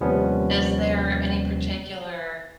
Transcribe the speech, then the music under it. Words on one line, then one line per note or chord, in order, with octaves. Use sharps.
Is there any particular
D#2 C3 F3 G3 B3 C#4